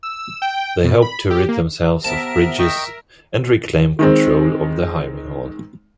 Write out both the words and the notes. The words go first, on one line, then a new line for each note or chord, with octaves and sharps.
They hoped to rid themselves of Bridges and reclaim control over the hiring hall.
E6
G5
B2
B5
G4
A#3
C3 B3 A#4 E5 A5
D#5 G5 C#6
D#3 G#3 C4